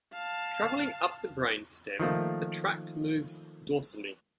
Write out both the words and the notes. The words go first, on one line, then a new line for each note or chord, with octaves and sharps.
Traveling up the brainstem, the tract moves dorsally.
F5 A5
D#3 F3 A3 A#3